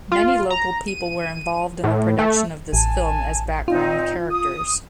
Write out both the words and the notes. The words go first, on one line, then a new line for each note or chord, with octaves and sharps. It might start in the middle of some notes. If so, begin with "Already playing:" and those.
Many local people were involved in the production of this film as background characters.
F4
A#5
D#7
A2
A3
A1 G#5 A5
A#2 C4 D#4 F4
D#6